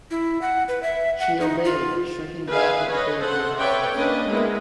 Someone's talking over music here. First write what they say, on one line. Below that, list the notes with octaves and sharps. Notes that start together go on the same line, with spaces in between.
She obeyed, shrinking back with the baby in her arms.
E4
F#5
B4
E5
F#5
D#4
F4
G#4 B4 E5 F5 G#5
B4 C#5 D#5
A4 C5 F#5
B4 C#5 D5 E5 G5
A#3 C#4 D4 B4 D#5
G#3 A#3 B3 E4